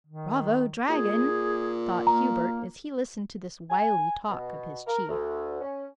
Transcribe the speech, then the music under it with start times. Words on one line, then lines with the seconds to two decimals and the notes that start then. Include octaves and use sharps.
"Bravo, Dragon!" thought Hubert, as he listened to this wily talk of his chief.
0.07 D#3
0.89 A#2 G#4
2.07 A#3 A#5
3.70 G#5
4.29 B2
4.87 A#4
5.08 D2
5.61 C#4